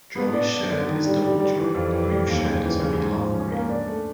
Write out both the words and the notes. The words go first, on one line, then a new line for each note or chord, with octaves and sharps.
Joy shared is double joy; grief shared is only half grief.
B3
D4
D4
D3
D#3
G3
G3
G3
E3
F2
E3
G3
D#2
C#3
E3
C#3
G#2
F3
C#4
A#3
D4
A3